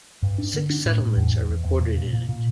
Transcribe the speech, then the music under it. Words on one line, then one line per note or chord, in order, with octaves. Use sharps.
Six settlements are recorded in it.
G2
D4
D3
D4
A2
A2
E2
E2
E2
E2
A#2
A#2
A#2
A#2